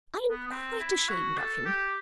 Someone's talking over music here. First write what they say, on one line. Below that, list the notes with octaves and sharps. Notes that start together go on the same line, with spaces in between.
I am quite ashamed of him.
B3
B3
C4
E4
F#4
A4
G4